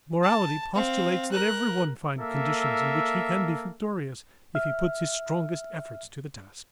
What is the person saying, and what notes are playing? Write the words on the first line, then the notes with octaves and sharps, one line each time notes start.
Morality postulates that everyone find conditions in which he can be victorious if he puts his strongest efforts to the task.
A5
C4 F5
A#4 F#6
A#3 A4 E5
E5 F6